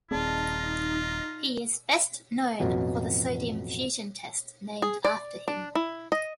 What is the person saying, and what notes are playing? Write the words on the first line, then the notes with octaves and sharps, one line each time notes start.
He is best known for the sodium fusion test named after him.
D#1 C4 D#4 F4 G#4 D5 A5 A#6
A1 F2 B2 F#3
G#4
D5
D4
E4
D#5